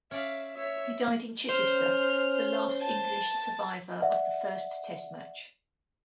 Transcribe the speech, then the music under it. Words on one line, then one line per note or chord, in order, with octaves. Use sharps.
He died in Chichester, the last English survivor of the first Test match.
C#4 D5 E5 F5
C#5 E5
C#4 C5 F6
A5 A6
D5 E5 F#5